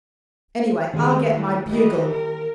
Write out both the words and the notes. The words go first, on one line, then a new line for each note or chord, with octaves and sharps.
Anyway, I'll get my bugle.
D#2 G#3 A3
E3
E3 G3 D#5
A#4